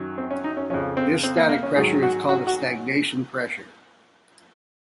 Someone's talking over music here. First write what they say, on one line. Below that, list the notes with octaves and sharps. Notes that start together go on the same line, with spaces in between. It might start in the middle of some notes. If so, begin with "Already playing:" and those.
This static pressure is called the stagnation pressure.
Already playing: F#2 D#3 F#3
C4
C#4
D#4
C#4
F2 C#3 F3 C#4
C4
C4
A#3
A#3
C#4
G#2 D#3 F#3 G#4
F#4
F#4
F#4